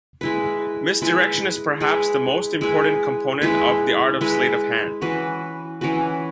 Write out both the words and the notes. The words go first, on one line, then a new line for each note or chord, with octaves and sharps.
Misdirection is perhaps the most important component of the art of sleight of hand.
G#3 E4 B4
G#3 E4 B4
G#3 E4 G#4 B4
G#3 E4 G#4 B4
G#3 E4 B4
G#3 E4 B4
E3 C#4 F#4 B4
E3 C#4 F#4 B4